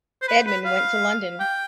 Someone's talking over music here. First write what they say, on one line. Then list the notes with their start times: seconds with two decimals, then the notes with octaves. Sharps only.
Edmund went to London.
0.22 C5
0.28 B4
0.46 B4
0.65 F5
1.40 G5